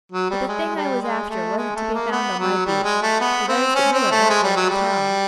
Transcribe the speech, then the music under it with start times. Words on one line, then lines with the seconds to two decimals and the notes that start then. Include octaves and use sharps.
But the thing I was after wasn't to be found on my beat, for those that knew it weren't going to tell.
0.12 F#3
0.30 G3
0.48 G#3
0.75 G3
1.02 G#3
1.29 A3
1.58 G#3
1.76 A3
1.94 A#3
2.12 B3
2.39 F#3
2.66 G3
2.84 G#3
3.03 A3
3.21 B3
3.48 C4
3.75 C#4
3.93 C4
4.11 A3
4.30 G#3
4.44 G3
4.57 F#3
4.70 G3